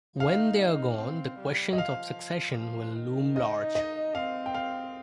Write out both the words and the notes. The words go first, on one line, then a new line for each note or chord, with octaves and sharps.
When they are gone, the question of succession will loom large.
D#4 F5
C4
G3
D#5
F3 F5
F3
D#3
D#4 D#5
D#5
C4 F5
G5
F5